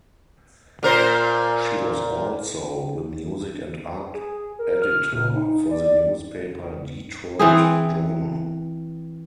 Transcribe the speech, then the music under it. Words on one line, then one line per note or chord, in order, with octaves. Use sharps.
She was also the music and art editor for the newspaper "Detroit Journal".
A#2 A#4 C5
G#4
A#4
F6
A#2
D#4
D5
E3 C4 G#4